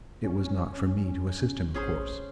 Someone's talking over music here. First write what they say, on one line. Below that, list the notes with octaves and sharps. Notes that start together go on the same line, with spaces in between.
It was not for me to assist him, of course.
C#4
A1 C#4 G#4 C5